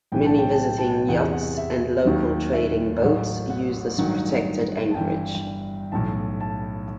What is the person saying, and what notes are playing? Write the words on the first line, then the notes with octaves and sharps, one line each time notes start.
Many visiting yachts and local trading boats use this protected anchorage.
B1 A2 E3 G5
A5
G5
A5
G5
A5
G5
E2 C3 E3 F#5
F#5
E5
D#2 D#3 F#3
E5
A1 A2 F#3
F#5
A1 G2 D#3 F#3 F#5
A5
G1 G2 E3 G5
B1 A2 E3 A5
A5